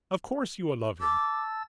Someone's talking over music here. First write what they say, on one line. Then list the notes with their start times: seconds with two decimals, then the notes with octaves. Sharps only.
Of course, you will love him.
1.01 A5 D6 E6 A6